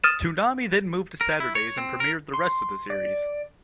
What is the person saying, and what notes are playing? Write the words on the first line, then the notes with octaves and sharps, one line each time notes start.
Toonami then moved to Saturdays and premiered the rest of the series.
D#6 F6 A6 D#7 E7
A#4
E4
C#5
C4
A#4
C6
D5